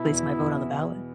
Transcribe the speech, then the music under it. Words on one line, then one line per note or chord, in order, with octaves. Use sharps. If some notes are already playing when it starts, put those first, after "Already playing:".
placed my vote on the ballot.
Already playing: B2 B3 E4
E2
E2